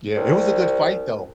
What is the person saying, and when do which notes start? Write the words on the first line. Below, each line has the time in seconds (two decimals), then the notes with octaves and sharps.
Yeah, it was a good fight, though,
0.17 C2